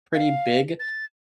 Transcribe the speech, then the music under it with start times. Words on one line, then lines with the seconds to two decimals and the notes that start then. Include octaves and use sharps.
pretty big,
0.14 F5
0.80 A6